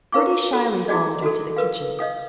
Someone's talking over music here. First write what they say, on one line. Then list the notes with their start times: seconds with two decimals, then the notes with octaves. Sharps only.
Bertie shyly followed her to the kitchen.
0.12 E4 A#4 B4 F5 C#6 D6
0.53 F#4 A4
0.88 E4 F#4 G#4 D5 D#5
1.22 F#4 A4
1.57 A#4 B4 F5
1.99 D#5 F5 D#6